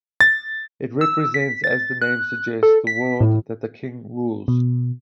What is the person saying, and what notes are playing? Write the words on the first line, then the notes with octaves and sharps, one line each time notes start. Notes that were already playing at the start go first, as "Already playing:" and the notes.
It represents, as the name suggests, the world that the king rules.
A6
E6
B6
A6
F#6
A4
B6
A2
B2